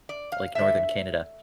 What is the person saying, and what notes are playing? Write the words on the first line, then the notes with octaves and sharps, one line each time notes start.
like, Northern Canada,
D5
F5
D3 A3 E5